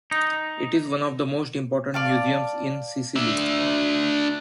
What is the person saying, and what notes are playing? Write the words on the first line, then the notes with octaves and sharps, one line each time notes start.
It is one of the most important museums in Sicily.
D#4
D5 F5 A5
D4 E5